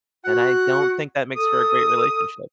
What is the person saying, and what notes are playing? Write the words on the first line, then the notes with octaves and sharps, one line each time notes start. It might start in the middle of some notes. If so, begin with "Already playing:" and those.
and I don't think that makes for a great relationship.
F#4 F#5
A4 D#6